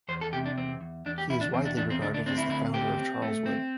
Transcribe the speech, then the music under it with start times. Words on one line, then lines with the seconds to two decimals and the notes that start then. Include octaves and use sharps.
He is widely regarded as the founder of Charleswood.
0.09 E2 C5
0.21 A4
0.33 C3 G4
0.46 D4
0.57 E2 C4
0.81 E2
1.06 E2 D4
1.18 G4
1.29 E2 E4
1.41 D4
1.53 E2 C4
1.65 D4
1.77 E2 D4
1.90 C4
2.01 D2 D4
2.14 D4
2.26 C4 D4
2.38 E4
2.50 D2 E4
2.74 C4 G4
2.98 C4
3.22 A3
3.46 C4